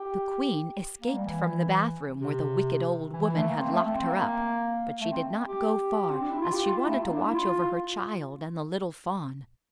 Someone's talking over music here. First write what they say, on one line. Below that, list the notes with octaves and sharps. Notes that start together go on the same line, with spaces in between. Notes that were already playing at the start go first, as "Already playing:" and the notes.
The queen escaped from the bath-room, where the wicked old woman had locked her up, but she did not go far, as she wanted to watch over her child and the little fawn.
Already playing: G4
A#3
G3
E3
C3
E3
E3
A3
A#3
C4
A3
A3
C4
A#3
A3
C4
G4
C4
D4
E4
F4
G4
F4
E4
A3
A#3
D4
E4
F4